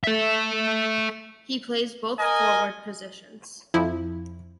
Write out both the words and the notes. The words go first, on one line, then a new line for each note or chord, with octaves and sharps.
He plays both forward positions.
A4 E5
A#4 D#5 G#5
F2 F3 E4